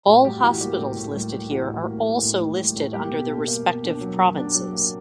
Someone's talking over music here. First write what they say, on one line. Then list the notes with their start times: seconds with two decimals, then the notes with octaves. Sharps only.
All hospitals listed here are also listed under their respective provinces.
0.07 A2 F#4
0.25 G3 G4
0.42 E3 F#4
0.61 G3 A#3 G4
0.78 A2
0.96 A2
1.14 G3
1.32 G3
1.51 E3 F#4
1.68 A2
1.86 A#3
2.04 A#3
2.23 A2
2.40 E3
2.58 G3
2.76 A2
2.93 G3 A#3 G4
3.11 B2
3.30 A#3
3.48 A#3
3.66 B2
3.84 D4
4.01 F#3
4.19 F#3
4.37 D4
4.55 F#3
4.73 A#3